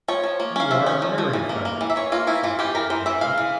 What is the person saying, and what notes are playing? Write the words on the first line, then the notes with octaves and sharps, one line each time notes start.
"You are a merry fellow," said the old man.
F3 C#5
F3
A#3
C#4 F5
F3 E5
C#4
F3
F3
E3
A#3
A#3
E3
E5
E3 C#5
A#3 F4
E3 E4
E3 F4
E3 G4
E3 A#4
E3 C5
E3 E5
G#3 F5
E3